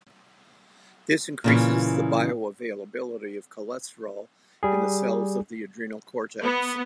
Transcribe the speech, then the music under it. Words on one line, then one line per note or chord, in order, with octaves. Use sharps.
This increases the bioavailability of cholesterol in the cells of the adrenal cortex.
A#2 C#3 E3
G3 G#4
B3